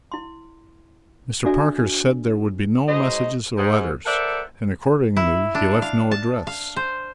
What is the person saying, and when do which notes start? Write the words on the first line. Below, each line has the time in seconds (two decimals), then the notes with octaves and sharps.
"Mr. Parker said there would be no messages or letters, and accordingly he left no address."
0.12 E4 C6
1.45 D4 F#4 A4 D5 E5 G#5
2.88 F#3 G#3 D#4 C5 D#5
3.57 G#2
4.06 A4 A#4 C5 D5 E5 F#5
5.17 E4
5.55 D4
5.82 F5
6.11 A5
6.47 F5
6.76 C5